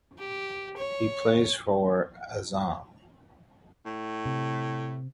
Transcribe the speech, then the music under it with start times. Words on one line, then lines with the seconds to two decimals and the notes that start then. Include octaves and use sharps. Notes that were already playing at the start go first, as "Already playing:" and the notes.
He plays for Azam.
0.19 G4
0.77 C#5
3.85 A2
4.25 C3